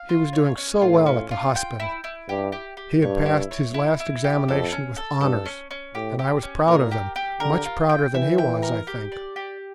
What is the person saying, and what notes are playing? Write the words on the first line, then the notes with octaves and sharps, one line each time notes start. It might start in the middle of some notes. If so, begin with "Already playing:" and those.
He was doing so well at the hospital, he had passed his last examination with honours, and I was proud of them, much prouder than he was, I think.
Already playing: F5
F4
C#5
C#4
A2 F4
C#4
F4
G5
E4
E4
G2 G4
G4
G4
G2 C#5
E4
C#5
E4
E4
G4
F2 A4
C#4
A4
G2 A4
C#4
C#4
A2 G4
G4
C#4
A#2 A#4
G4
G4
D3 A#4
F4
G5
E3 E5
G5
A#4
G4
D5
G4